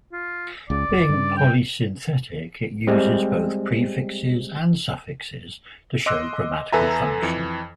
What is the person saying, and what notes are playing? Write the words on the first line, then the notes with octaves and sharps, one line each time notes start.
Being polysynthetic, it uses both prefixes and suffixes to show grammatical function.
F4
C#2 C#3 D5
F#1 C#2
G2 C#3
G5
G3 G#3 C4
D#5 C6 D6 E6 F#6
E2 A4 B4 E5 G#5 A#5
F2 E3